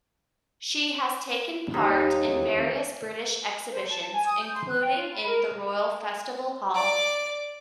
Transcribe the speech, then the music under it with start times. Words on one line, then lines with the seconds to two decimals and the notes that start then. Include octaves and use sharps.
She has taken part in various British exhibitions, including in the Royal Festival Hall.
1.74 D#2 D#4
2.27 E2 C4
3.71 C5
3.88 A5
4.01 A5
4.14 G#5
4.26 D#6
4.40 G6
4.53 C6
4.67 F#6
4.81 G5
4.95 F4
5.14 B5
5.28 A#4
6.74 D5 D6